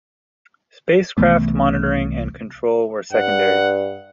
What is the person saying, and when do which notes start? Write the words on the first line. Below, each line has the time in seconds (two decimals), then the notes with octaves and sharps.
Spacecraft monitoring and control were secondary.
1.18 C2 E3 A3 B3
3.13 G2 F#5